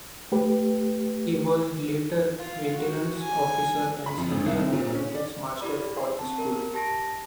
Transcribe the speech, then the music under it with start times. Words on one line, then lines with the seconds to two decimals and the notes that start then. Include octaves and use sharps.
He was later Maintenance Officer and Senior Mathematics Master for the school.
0.32 A3 G4 B4
2.38 F4
2.76 F#4
3.19 G#5
4.06 B5
4.18 F2
4.31 G#1
4.46 C2
4.60 C4
4.72 A#2
4.95 C#4
5.15 D5
5.61 E4 G4 D5 B5
5.97 C6
6.19 C4 A5
6.38 A#4
6.74 G4 A5 A#6 D7